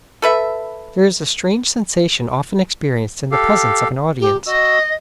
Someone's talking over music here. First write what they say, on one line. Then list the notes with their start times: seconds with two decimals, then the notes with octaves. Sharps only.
There is a strange sensation often experienced in the presence of an audience.
0.22 A4 B4 E5
3.32 G4 A4 F5
4.20 A#2 G4
4.46 F#4 D#5 E6